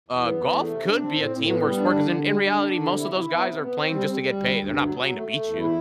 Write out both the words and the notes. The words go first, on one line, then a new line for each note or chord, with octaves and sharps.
uh, golf could be a teamwork sport 'cause in in reality, most of those guys are playing just to get paid. They're not playing to beat you.
E2
B3
E2
A3
C3
D4
C4
A2
A2
B3
G3
D4
D3
D3
G3
D3
D4
D3
C3
E4
E4
B3
C3
B3
C4
G3
G3
G3
D2
D2
G2
F#3
F#3
A3
A3
E2
E4